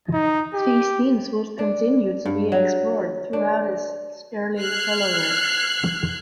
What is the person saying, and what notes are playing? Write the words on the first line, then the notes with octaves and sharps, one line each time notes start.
These themes would continue to be explored throughout his early solo work.
D#4
G4
D4
G2
F#3
D4
F6 F#6 G#6 C7